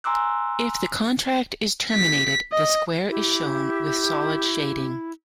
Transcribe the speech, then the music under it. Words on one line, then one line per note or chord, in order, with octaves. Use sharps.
If the contract is terminated the square is shown with solid shading.
G#5 A#5 C6 D6 E6 F#6
B6
D#5
E4 G4